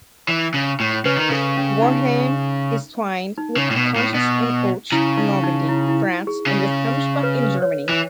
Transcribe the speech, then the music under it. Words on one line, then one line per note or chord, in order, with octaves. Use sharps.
Wareham is twinned with Conches-en-Ouche in Normandy, France and with Hemsbach in Germany.
E3
C#3
A2
C#3 B4
D#3
C#3 A4
C#4
D#4
D#4
C#3
A2
B2
A2
B2
C#3 E4
D#4
D#4
E4
E4
G#4
C#3
B4
B4
C#5
E3